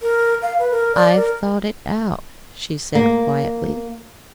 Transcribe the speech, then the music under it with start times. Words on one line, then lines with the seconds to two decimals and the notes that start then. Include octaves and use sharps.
"I've thought it out," she said quietly.
0.02 A#4
0.42 F5
0.59 B4
0.71 A#4
0.95 D5
1.16 A#4
2.95 A#3